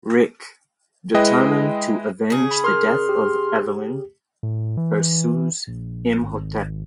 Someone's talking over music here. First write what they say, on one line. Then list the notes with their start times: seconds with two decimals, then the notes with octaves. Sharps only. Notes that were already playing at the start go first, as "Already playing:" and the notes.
Rick, determined to avenge the death of Evelyn, pursues Imhotep.
1.14 G#3 E4 B4 D#5 G5
2.30 C#3 G#4
2.51 B5
2.64 A#4 C6 F6
3.09 G4
4.43 A2
4.77 E3
5.67 A#1
6.21 G#1